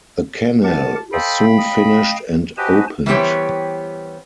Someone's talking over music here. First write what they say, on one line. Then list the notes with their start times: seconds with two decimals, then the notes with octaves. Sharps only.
The Canal was soon finished and opened.
0.64 G4 A#4 F#5 A5
1.13 A4 C5 D#5 F5 G5 B5
1.58 D#5
2.58 F#4 G4 B4 C5 D#5 G#5 A5
3.06 E3 G3 B3 C4 G4 C#5